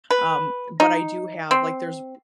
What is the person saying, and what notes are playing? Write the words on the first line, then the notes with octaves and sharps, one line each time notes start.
um, but I do have like, there's o
B4
D#4
C4